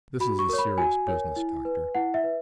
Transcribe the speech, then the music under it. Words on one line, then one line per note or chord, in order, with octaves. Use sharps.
"This is a serious business, Doctor."
F#4 B5
C#6
A#4 C#5
B5
F#4 G#5
A#4 C#5
E4
B4
E4 F#5
E5
B4